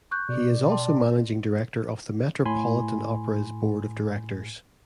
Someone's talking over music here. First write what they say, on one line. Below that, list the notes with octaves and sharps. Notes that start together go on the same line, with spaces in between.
He is also managing director of the Metropolitan Opera's board of directors.
C#6 F#6 G6
B2 D5
G5 A5 C6
A2 G#5 B5 C6